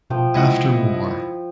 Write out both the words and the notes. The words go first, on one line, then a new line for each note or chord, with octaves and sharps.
After war.
B2 F3 G5
C3 G#3 E4 D#5 F#5